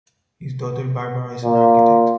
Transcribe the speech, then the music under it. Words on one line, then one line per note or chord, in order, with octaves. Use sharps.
His daughter Barbara is an architect.
A#2